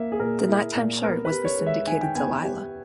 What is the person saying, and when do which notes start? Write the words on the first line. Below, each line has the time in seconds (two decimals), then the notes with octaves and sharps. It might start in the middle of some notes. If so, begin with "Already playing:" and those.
The nighttime show was the syndicated Delilah.
Already playing: A#3 E5
0.12 G#4
0.19 A#2 A#4
0.48 E4
0.75 A#2
1.03 B3 A#4
1.25 B4
1.31 G4
1.45 C#5
1.59 G#3
1.67 E5
1.87 D#3 G#5
2.01 G5
2.15 B3 G#5
2.43 G4